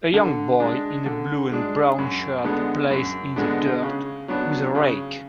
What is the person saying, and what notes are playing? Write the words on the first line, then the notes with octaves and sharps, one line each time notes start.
A young boy in a blue and brown shirt plays in the dirt with a rake.
D3
G#3 D4
D3
G#3 D4
F#2
D3 G#3 B3 D4
F#2
D3 G#3 B3 D4
C#3
F#3 B3 D4
C#3